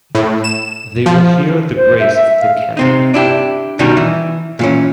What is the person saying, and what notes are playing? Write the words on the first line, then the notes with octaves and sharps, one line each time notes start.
They will hear the grace of the cannon.
A2
E7
F3
C5
E5
E5
F5
C3 C4 D#4
D4 E4 G4
B2 D#3 G3 D#4 F#4 A#4
E3
A#2 E3 C#4